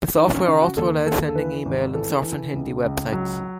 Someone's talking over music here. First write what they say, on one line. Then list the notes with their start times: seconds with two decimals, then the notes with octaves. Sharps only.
The software also allows sending email and surfing Hindi websites.
0.17 E3 D#4
0.33 C#4
0.47 C#3 D#4
0.62 F#4
0.77 D#2 A4
1.06 D#2 A4
1.28 A4
1.35 E3 B4
1.65 G#1
1.94 E3 A4
2.24 E3
2.54 C#2
2.84 C#2
3.12 F#3